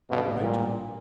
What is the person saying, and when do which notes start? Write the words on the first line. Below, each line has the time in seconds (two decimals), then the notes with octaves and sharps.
'All right.
0.10 G2 B2
0.27 A1
0.43 A#2 G3
0.61 A#1